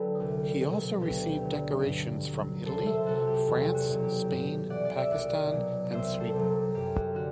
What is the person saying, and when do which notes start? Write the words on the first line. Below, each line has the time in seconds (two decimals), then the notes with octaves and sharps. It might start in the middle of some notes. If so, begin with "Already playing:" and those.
He also received decorations from Italy, France, Spain, Pakistan and Sweden.
Already playing: D3 F#3 G4 A4 B4
0.20 C2
0.61 B2 F#3
1.01 D2 G4 B4
1.43 D3 F#3
1.84 G2
2.25 F#3
2.64 C2 A4 C5
2.86 C5 E5
3.05 C3 F#3 F#4 A4
3.27 G4
3.47 E2
3.75 F#4
3.89 B2 F#3
4.03 G4
4.29 G2
4.70 E3 D5 F#5
4.85 D5
4.98 E5
5.11 C2 D5 F#5
5.52 B2 F#3
5.91 C2 C5 E5
6.20 A4 C5
6.34 C3 F#3
6.75 F#2 G4
6.96 F#4
7.14 D3 F#4